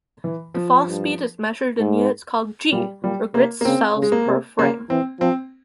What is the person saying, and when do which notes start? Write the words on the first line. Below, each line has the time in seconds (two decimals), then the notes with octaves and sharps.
The fall speed is measured in units called G, or grid cells per frame.
0.24 E3
0.54 F3
0.85 G2
1.80 G#2
2.72 A#2 G3
3.03 A#2 G3
3.34 C3 A#3
3.61 A#3
3.65 C#3 C4
3.96 C#3
4.02 G#3
4.12 A#3
4.27 C3
4.59 C#3 A#3
4.90 E3 C4
5.20 F3 C4